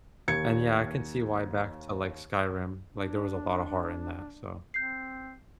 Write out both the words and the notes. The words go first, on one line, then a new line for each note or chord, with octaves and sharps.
And, yeah, I can see why back to, like, Skyrim, like, there was a lotta heart in that, so
D#2 G#6 C#7
D4
C4 G6 C7